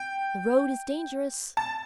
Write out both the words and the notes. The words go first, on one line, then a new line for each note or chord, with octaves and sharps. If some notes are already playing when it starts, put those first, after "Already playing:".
"The road is dangerous."
Already playing: G5
A5